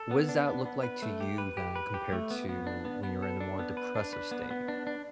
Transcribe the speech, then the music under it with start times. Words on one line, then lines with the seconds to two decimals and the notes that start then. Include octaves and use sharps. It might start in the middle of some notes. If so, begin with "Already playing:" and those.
what does that look like to you then compared to when you're in a more depressive state?
Already playing: A4
0.11 B3
0.29 D4
0.48 B3
0.65 B3
0.83 B4
1.02 A3
1.21 G4
1.38 B4
1.57 G4
1.76 B4
1.94 G4
2.13 A3
2.31 B3
2.49 B3
2.67 D4
2.85 B3
3.03 B3
3.22 A4
3.40 D4
3.59 B3
3.77 B4
3.95 D4
4.13 B4
4.31 B3
4.51 B3
4.68 D4
4.87 D4